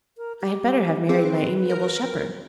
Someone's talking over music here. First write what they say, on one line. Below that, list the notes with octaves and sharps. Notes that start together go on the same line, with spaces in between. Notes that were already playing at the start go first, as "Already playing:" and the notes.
I had better have married my amiable shepherd.
A#4
G4
C4 G#4 B4
A#4